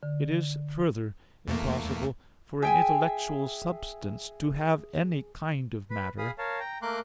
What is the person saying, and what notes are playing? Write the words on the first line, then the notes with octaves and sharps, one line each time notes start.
It is, further, impossible for an intellectual substance to have any kind of matter.
D3
E2 A3 A#3
G#4 E5 G5 G#5
B4 B5
G#4 F5 B5 D#6
A#4 C#5 F5 A5
G5 A#5
A3 A#3 A#4 C6 D6 F#6